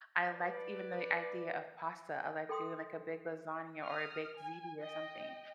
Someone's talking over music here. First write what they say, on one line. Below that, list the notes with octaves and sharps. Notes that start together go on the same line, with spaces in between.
I liked even the idea of pasta. I like doing, like, a big lasagna or a baked ziti or something.
B4 D5
A4 G5 C6 D#6
D#6 F6
G#5
D#5 G5